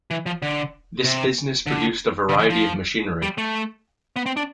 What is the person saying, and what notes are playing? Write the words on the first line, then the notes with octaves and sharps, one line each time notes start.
This business produced a variety of machinery.
E3
F3
D3
C3
D3
D3
E3
F3
G3
A3
B3
C4
D4